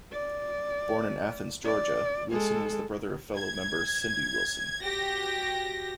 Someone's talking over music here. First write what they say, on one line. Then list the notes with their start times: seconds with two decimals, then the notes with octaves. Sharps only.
Born in Athens, Georgia, Wilson was the brother of fellow member Cindy Wilson.
0.13 D5
1.66 D5
2.32 G#3 A4
3.35 G#6
4.82 F#4 G4 A#6